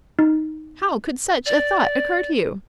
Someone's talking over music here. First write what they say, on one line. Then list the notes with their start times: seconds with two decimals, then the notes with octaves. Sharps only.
How could such a thought occur to you?
0.19 D#4
1.45 D5